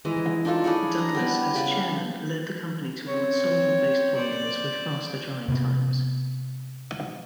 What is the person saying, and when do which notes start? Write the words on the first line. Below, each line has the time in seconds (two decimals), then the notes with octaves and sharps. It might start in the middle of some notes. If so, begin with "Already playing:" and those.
Douglas, as chairman, led the company toward solvent-based formulas with faster drying times.
0.05 E3 G#3 A#5
0.45 D4 D#4 F4 A4
0.64 D4 E4 G#4 C#5
0.98 A#5
1.15 G3 B3 D4
1.55 C#3 G3 D4 B5
3.06 C4 C#5
4.16 C5 D5
5.48 C3 B3